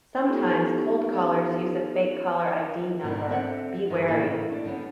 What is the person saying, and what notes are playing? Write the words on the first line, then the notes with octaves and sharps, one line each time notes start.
Sometimes cold callers use a fake caller id number. Be wary.
B3 C#4 D#4 F4 G4 A4
G#2 B2 D#3 G3
D3 C4 E5 F#5
G2 D#3
A2 C#3 E3 A3 A#3
D4
D3 G3 B3 C#4